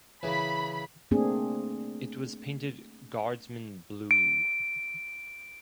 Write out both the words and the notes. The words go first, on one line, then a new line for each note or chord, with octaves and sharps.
It was painted Guardsman Blue.
C#3 E3 A#3 B5
A3 A#3 C4 D4 G#4
D7